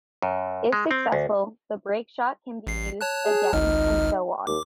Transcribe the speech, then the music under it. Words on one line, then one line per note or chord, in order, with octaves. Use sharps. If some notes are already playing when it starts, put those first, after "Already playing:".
If successful the break shot can be used again and so on.
F#2
G#3
C4
D2
A1 C7
C#5 A5 F#6
G#4
G#1 C#2 D#4 F6
D#2 D6